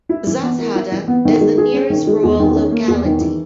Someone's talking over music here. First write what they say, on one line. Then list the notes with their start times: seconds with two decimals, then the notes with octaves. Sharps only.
Zhazhada is the nearest rural locality.
0.09 E4
0.27 E3
0.43 B3
0.59 A#4
0.75 E4
0.92 E3
1.08 B3
1.25 D#3
1.41 G#3
1.58 G#4
1.74 C#4
1.90 D#3
2.07 G#3
2.23 E2
2.40 D#3
2.56 C#4
2.72 A#3
2.88 E2
3.05 D#3
3.21 E3